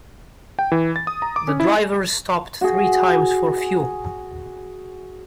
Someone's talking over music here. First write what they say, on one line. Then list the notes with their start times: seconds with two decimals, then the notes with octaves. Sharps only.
The drivers stopped three times for fuel.
0.59 G5
0.72 E3
0.96 A6
1.07 D#6
1.22 A#5
1.36 D6
1.48 C#4
1.60 E4
2.61 F#4 G#4